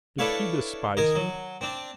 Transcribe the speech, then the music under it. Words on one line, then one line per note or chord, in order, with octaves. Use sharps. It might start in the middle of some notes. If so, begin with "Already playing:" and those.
Did he despise me?
D4 E4 A4 B4 C#5 F5
D#3 A#4 D#5 G#5
F#3
C4 D4